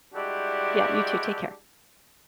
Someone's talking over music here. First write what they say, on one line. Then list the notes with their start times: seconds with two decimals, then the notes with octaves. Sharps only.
Yeah, you too. Take care.
0.14 G3 G#3 D4 E4 F#4 G4